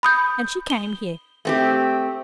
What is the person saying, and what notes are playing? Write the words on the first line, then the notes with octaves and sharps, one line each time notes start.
And she came here.
B5 D#6 G6
G7
A3 C4 G4